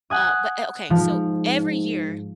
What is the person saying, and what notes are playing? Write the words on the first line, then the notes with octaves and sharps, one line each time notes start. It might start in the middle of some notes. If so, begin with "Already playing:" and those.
uh, but o okay, so, every year,
F#5 G#5 D#6
G#2 F3